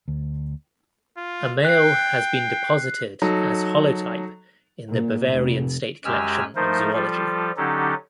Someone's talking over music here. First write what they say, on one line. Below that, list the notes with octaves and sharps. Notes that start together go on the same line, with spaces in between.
A male has been deposited as holotype in the Bavarian State Collection of Zoology.
D2
F4
G5 F#6 C7
F#3 D#4 A4
A#2
F1
F#2 G#3 G4 G#5 E6 F6
F3 A3 D#4 A#4 C5
F3 G3 F4 A4
D3 F#3 C#4 D#4 G4 A4